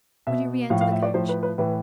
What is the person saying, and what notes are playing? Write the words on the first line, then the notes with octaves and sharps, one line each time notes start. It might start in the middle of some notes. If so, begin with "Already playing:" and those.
Will you re-enter the coach?
B2 E5
A2 F3 F5
F5
E5
D5
A2 F3 C5
B4
B4
A2 E3 B4